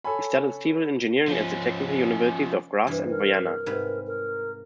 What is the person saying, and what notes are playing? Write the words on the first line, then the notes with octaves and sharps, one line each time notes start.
He studied civil engineering at the Technical Universities of Graz and Vienna.
A4 C#5 G#5 B5
F3 C#4
G2 C3 E3
A#4
G#2 C3 B4
A#4